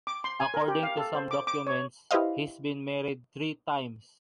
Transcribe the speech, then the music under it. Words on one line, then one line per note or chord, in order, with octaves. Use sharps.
According to some documents, he's been married three times.
D6
C6
G#5
A#4
G4
F5
A4
C5
D6
D6
C#5
E4 G4 B4 C5 D#5 F5